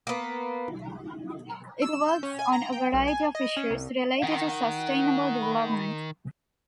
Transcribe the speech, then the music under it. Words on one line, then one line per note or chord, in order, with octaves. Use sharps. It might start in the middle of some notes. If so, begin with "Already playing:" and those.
It works on a variety of issues related to sustainable development.
A#3 B3
E6
G6
C#4
G#5
A#5
G5
B1
G#5
D#5
C#4
C2
D#3 F#5